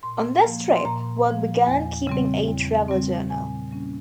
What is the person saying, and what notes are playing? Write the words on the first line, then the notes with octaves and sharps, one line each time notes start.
On this trip, Work began keeping a travel journal.
A#2 C6
F3 A#3
C6
A#2 A#5
F3 A#3
E2 G#5
C#3 G3 C4
E2
C#3 G3 C4
A#2 G#5
G3 A#3 C#4